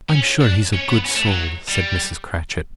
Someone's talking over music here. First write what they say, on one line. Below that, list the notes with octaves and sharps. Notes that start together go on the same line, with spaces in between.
"I'm sure he's a good soul!" said Mrs. Cratchit.
C#4
D4
C#4
B3
C#4
A3
F#3
G3